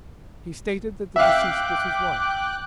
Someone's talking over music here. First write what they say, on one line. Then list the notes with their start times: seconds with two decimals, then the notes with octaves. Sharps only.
He stated that the deceased was his wife.
1.16 E5 F5 G5 D6 F#6